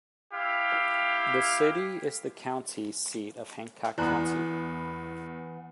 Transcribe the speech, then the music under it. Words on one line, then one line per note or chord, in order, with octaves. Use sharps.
The city is the county seat of Hancock County.
E4 G4 F5
E2 E3 B3 E4 D5 A#5 F#6